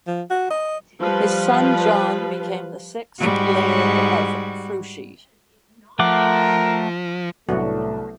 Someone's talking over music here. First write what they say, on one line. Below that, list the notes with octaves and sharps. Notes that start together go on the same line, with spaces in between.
His son John became the sixth laird of Freuchie.
F3
F#4
D#5
F3 G3 F4 B4
G#2 G3 F#4
F3 A3 A#4 F#5 D6
C2 A2 F#3 A3 B3 D4 F#4